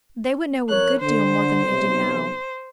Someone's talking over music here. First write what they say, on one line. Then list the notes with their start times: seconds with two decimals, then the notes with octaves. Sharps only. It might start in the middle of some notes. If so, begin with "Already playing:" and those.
They would know a good deal more than they do now.
0.69 F2 A#4 C#5 F#6
1.00 D3 C5
1.64 B1 C3